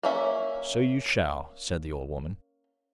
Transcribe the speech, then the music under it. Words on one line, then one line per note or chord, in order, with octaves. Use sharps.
'So you shall,' said the old woman.
A#3 C#4 E5